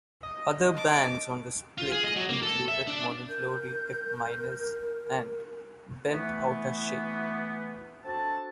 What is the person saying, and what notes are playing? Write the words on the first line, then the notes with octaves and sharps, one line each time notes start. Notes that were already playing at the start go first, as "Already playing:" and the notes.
Other bands on the split included Morning Glory, F-Minus, and Bent Outta Shape.
D#5
A5 D6
F4
G#4
D#5
F#3
A#3
A4
E5
D4
A#4 G6
E3 A3 B3
C4 D4 F#4 A4 A5